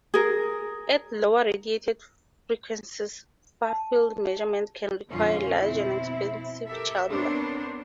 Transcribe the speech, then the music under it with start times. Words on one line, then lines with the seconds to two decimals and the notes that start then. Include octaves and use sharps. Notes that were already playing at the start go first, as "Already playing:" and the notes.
At lower radiated frequencies, far-field measurement can require a large and expensive chamber.
0.14 G#4 A#4
3.67 A5
5.11 F2 B2 D3 G#3 C#4 F4
5.62 B2 C4 E4
6.69 G4 A4 A#4 E5
7.10 B3 C4 D4 A#4 C5 C#5